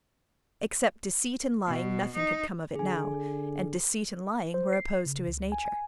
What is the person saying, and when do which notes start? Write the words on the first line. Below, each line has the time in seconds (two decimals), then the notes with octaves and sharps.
Except deceit and lying nothing could come of it now; and deceit and lying were opposed to his nature.
1.67 B2
2.16 D#4
2.75 D3 G#4 G#5
4.54 C5
4.73 C7
5.06 C#3
5.27 C#2
5.52 G#5
5.65 G#5